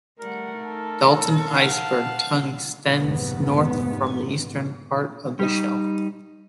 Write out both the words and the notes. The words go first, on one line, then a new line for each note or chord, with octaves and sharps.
Dalton Iceberg Tongue extends north from the eastern part of the shelf.
G3 A3 A#4 F#5
D#4 A4
F5 F#5 A5
F1 G#2 B3
G3 D#4